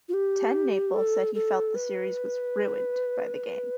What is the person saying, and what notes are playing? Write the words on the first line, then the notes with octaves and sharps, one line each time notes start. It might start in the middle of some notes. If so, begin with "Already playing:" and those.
TenNapel said he felt the series was "ruined" by the game.
F4
G4
A4
A4
B4